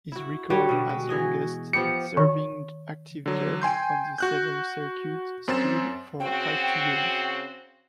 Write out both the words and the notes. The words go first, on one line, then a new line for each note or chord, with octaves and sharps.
His record as longest-serving active judge on the Seventh Circuit stood for fifty years.
E4 F#4
G3 F#4 C#5
B2 D3
G#3
E3 G#4 D#5
F3 B3 G4 C#7
D#3
D3 F#3
G5 G#5 C6 G6
F#4 F#6 G6
F#2 C4 C6 A6 E7
C#3 C4 F#4 G5